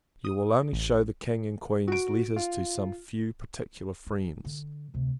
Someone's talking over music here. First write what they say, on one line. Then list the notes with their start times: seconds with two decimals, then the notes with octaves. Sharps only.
You will only shew the King and Queen's letters to some few particular friends.
0.25 D#6
0.73 A1
1.88 F#4 D7
2.36 F4
4.07 D#4
4.45 D3
4.94 D2 C3